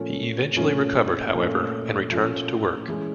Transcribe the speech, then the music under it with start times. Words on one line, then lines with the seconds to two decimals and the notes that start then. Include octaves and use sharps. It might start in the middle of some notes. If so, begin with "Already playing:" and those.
He eventually recovered, however, and returned to work.
Already playing: A#2 F3 A3 C#4
0.56 A#2 F3 A3 C#4
1.34 A#2 F3 A3 C#4
2.11 A#2 F3 A3 C#4
2.88 E3 G#3 C#4